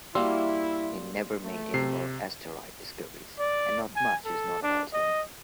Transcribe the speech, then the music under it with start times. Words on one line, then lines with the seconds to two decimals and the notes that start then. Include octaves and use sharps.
He never made any more asteroid discoveries and not much is known about him.
0.15 G3 A#3 E4 F#4 C6 E6
1.45 A3
1.74 C3 C7
3.39 D5
3.96 G#5
4.25 A4
4.63 D4
4.93 D#5